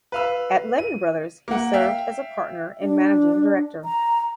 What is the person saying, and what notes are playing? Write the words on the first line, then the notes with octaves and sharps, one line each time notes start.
At Lehman Brothers, he served as a Partner and Managing Director.
B4 F5 E6
D#7
A#3 F#5
E5 F5 G5
D4
A#5